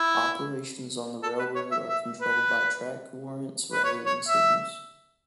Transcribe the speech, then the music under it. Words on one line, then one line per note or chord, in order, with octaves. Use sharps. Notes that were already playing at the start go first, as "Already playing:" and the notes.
Operations on the railroad are controlled by track warrants rather than signals.
Already playing: E4
A4
B4
C#5
E5
E5
B4
B4
C#5
C#5
E5